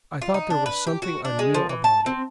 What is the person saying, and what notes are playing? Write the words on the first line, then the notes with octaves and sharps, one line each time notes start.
I thought there was something unreal about it.
F4
D#4
D4
B4
G4
F#4
D4
G#3
F3
E3
A5
C4